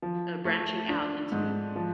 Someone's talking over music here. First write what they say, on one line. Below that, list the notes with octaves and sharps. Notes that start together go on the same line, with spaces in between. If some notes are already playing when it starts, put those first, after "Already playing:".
uh, branching out into
F3
A3
D4
G#2
F3